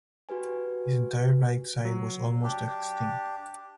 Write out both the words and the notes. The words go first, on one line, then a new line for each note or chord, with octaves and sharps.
His entire right side was almost extinct.
F#4 G4 B4 G#5
F#3
D4 G4